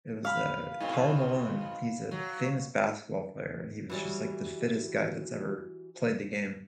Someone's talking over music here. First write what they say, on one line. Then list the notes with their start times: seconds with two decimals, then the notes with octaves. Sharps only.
It was the Karl Malone, he's a famous basketball player and he was just like the fittest guy that's ever played the game,
0.25 F5 B5
0.80 G#2 B2 C4
2.11 F#3
3.90 E3 F#3 G3